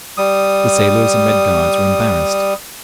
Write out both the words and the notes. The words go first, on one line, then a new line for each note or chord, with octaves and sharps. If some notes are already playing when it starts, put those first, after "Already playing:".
The sailors and Red Guards were embarrassed.
G3 D#6